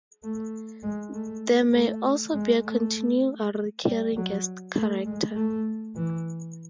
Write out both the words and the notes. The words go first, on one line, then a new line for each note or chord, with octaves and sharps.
There may also be a continuing or recurring guest character.
A3
G#3
A3
A3
G#3
A3
G3
F#3
A3
G#3
A3
E3